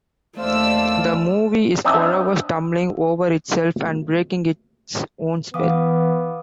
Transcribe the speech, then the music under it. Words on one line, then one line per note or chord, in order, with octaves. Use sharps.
The movie is forever stumbling over itself and breaking its own spell.
D#2 A3 C5 D5 F5 E6
C4 D4 D#4 D#5 E5 G#5
E3 B3 F5 D6 D#6